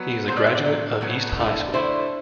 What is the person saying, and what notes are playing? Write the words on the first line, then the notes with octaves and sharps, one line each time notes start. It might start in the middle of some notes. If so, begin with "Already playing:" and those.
He is a graduate of East High School.
Already playing: F#3 B3
A2 F#3 B3 C5
D5
E5
D5
A2 F#3
A2 F#3 B3
D3 A3 E4
D3 A3 E4 C5